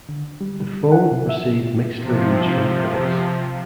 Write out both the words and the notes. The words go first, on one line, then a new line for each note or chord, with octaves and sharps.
The phone received mixed reviews from critics.
D3
G3
G3
F#5
C3
E5
B2
C3 F3